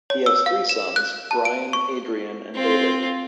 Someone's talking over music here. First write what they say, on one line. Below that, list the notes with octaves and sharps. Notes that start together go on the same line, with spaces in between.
He has three sons Brian, Adrian and David.
C#5
E6
F5
E7
F#6
A5
D7
C#6
C4 F4